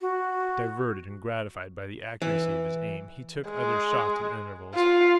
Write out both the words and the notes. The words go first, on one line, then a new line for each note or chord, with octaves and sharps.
Diverted and gratified by the accuracy of his aim, he took other shots at intervals.
F#4
E3
G#3
F4